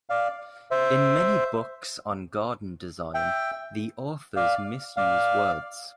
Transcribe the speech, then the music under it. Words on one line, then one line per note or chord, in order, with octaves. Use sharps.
In many books on garden design the authors misuse words.
D5 F5
C5 E5
E5 G5
D5 F5
D5 F5